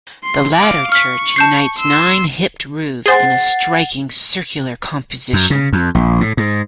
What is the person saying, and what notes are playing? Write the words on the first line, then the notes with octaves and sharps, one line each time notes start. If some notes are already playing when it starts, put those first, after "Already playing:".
The latter church unites nine hipped roofs in a striking circular composition.
C6
F5 D6
C#6 F6 B6
A5 G6 C7
C6 E6
G#4 C5 F#5 A6 C7
F#2
C#3
F2
A#1
A2
G#2